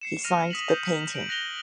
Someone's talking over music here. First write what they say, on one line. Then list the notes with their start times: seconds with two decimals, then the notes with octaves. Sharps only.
He signed the painting.
0.01 C7 C#7 E7
0.24 F6 A#6 D#7 F7
0.51 D#6 B6 E7 F#7
0.69 G6
1.14 B6 D7 E7 F#7
1.29 F#6 A#6 F7 G7